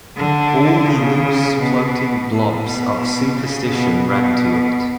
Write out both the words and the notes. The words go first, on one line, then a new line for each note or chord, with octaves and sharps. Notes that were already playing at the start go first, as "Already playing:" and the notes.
All the loose floating blobs of superstition ran to it.
D3
C#3
B2
A2
B2
C#3
B2
B2